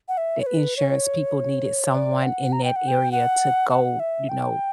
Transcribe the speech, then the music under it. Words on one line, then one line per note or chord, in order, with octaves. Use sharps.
the insurance people needed someone in that area to go, you know,
F#5
E5
C#5
B4
C#5
D5
F#5
A#5
G5
F#5
G5
F#5
F#5
E5
G5